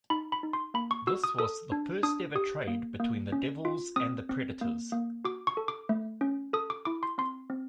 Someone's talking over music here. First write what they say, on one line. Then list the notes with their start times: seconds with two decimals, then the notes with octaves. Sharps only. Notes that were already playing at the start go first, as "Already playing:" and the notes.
This was the first-ever trade between the Devils and the Predators.
0.10 D#4 B5
0.32 B5
0.43 D#4
0.53 C6
0.74 A#3 B5
0.91 C#6
1.07 F#4 E6
1.24 D#6
1.39 A4 D#6
1.72 D4
2.03 D4 D#6
2.35 G4 D#6
2.68 A#3
3.00 A#3
3.32 C#4
3.65 F4
3.96 C4 D#6
4.29 C4
4.61 A#3
4.92 A#3
5.25 F#4 D6
5.47 C#6
5.57 A4
5.68 D6
5.89 A3
6.21 C#4
6.53 A4 D#6
6.70 D6
6.85 E4 D6
7.03 C6
7.18 C4 C6
7.50 C4